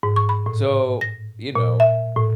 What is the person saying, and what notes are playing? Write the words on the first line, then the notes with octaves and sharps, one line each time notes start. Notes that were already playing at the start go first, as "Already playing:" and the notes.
So, you know
G#2
C#6
B5
A2
A#6
A#2
E5
A2